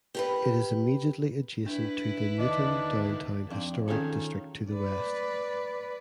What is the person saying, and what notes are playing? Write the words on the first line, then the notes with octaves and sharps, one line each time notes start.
It is immediately adjacent to the Newton Downtown Historic District to the west.
G4 A#4 B4
D4 E4 B4
D#2 D3 D4 D#5
F2 D4
D#3 C#4 F4 G#4 A4
B4 D5